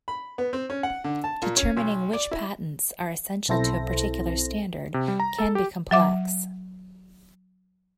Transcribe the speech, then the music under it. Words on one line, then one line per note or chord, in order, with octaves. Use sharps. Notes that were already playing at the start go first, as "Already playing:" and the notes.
Determining which patents are essential to a particular standard can be complex.
B5
B3
C4
C#4
F#5
D3
A5
A#2
C#4
B1
D5
E4
B1 C4 E4 A4 C5 A#6
C3
G3
A#5
A4
G4
F#3 E5 D6